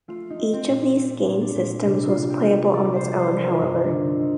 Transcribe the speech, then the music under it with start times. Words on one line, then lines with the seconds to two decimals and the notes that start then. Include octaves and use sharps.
Each of these game systems was playable on its own, however.
0.08 A3 F4
0.30 D#4
0.39 A3
0.53 C4
0.68 A#2
0.76 D4
0.97 A3 C4
1.26 A#2
1.41 D4
1.55 A#2
1.85 C3 D4
2.08 F4
2.14 C3
2.30 G4
2.44 G3
2.52 A#4
2.73 G3 D5
2.96 C5
3.03 G3
3.12 D5
3.18 C5
3.32 G3
3.40 A#4
3.51 F4
3.61 G2 D#4
3.84 D4
3.91 D3
4.05 D#4
4.20 D3 D#4